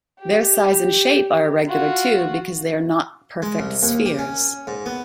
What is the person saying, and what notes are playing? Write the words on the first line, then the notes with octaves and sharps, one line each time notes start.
Their size and shape are irregular too because they are not perfect spheres.
G4
F4 F#4
G#3
C2
D#2
G4
C#4
G#2
B3